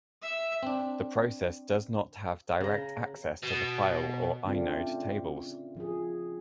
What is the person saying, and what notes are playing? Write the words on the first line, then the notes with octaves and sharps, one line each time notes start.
The process does not have direct access to the file or inode tables.
E5
C4 D4
C#3 A#5
B2
C#3 A3 C4 D4 F4
F3 G#4